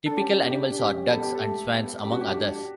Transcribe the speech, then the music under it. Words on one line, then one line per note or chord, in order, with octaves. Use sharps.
Typical animals are ducks and swans among others.
D4 A4
C#4 G4
D4 G4
D4
C#4 G4
B3 A4
G4
A3 A4
B3
C#4 G4
F#4
G4
D4 G4